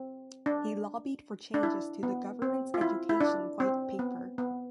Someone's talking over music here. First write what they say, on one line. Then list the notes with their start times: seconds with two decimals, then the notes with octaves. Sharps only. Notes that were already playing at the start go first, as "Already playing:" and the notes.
He lobbied for changes to the Government's Education White Paper.
Already playing: C4
0.46 D4
1.54 D4
1.63 E4
2.03 B3
2.42 C4
2.74 F4
2.81 E4
3.09 E4
3.21 D4
3.60 C4
3.99 B3
4.38 B3